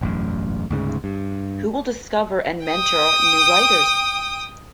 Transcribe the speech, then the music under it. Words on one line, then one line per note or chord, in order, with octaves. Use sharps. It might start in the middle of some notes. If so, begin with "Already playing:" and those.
Who will discover and mentor new writers?
E1 A1 F#2
D2 G#2 C#3
G2
G5 D#6